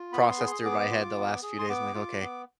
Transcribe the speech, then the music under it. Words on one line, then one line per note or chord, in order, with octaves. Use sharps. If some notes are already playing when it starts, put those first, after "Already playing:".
process through my head the last few days, I'm like, “Okay.
Already playing: F4
B3 B5
C6
G#4
C6
B3 D6
F4
B3
G#4
C6
B3 D6
F4
B3